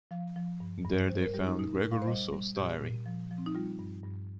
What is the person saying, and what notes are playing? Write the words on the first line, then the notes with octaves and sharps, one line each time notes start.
There they found Gregor Russoff's diary.
F3 F5
F3
G2
G2
G3 C5
A#4
G3 G4
D#4
A#2 D#4
A#4
A#2
F5
C5
G3 D#5
G3
A#2 G4
A#2
F3
F3
C4
D#4
G3 F4
G2
G2